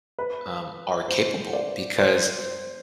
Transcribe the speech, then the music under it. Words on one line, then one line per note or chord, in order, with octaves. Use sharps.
um, are capable because,
B4
C5
D5
C5